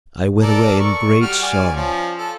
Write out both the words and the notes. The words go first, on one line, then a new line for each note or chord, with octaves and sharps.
I went away in great sorrow.
A4 A#4 D5
C#6
G3 F#4 F6
D5 G#5
F3 C#4
A4